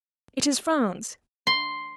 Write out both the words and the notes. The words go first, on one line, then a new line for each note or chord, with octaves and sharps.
It is France.
C6